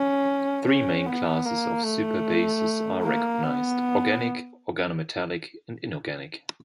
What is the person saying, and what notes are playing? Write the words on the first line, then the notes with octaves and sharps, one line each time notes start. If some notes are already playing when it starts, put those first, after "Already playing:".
Three main classes of superbases are recognized: organic, organometallic and inorganic.
Already playing: C#4
C#4
B3
A#3
A3
A#3
B3